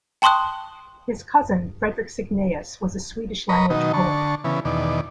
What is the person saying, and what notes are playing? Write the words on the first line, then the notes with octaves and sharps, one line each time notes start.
His cousin, Fredrik Cygnaeus, was a Swedish-language poet.
G5 A5 C6 C#6 D#6 F#6
A#4 B4 D#5 A#5 B5 C#6
B2 D#3 F#3 D#4
D3 A5 C#6
C#3 E3 B3
E2 B2 D#3 D5